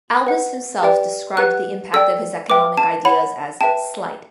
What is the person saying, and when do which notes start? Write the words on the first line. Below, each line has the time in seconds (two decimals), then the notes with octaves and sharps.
Albus himself described the impact of his economic ideas as "slight".
0.27 B4 F#5
0.82 G4 B4 D5 G5
1.37 G4 B4 F#5 F#6
1.93 A4 D5 G5 E6
2.50 B4 E5 G5 D6
2.77 A5
3.05 C#5 F#5 B5
3.61 B4 E5 G5 A5